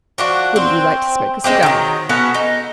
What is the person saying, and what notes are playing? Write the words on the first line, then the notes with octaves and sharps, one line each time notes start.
Wouldn't you like to smoke a cigar?
F3 D4 F#4
C4
G#3 C4 G4
D#3 F#3
B3 C#4 F#4 A4
D#4